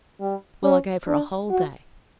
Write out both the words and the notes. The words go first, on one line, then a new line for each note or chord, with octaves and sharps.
Well, I gave her a whole day.
G3
C#4
D4
F#4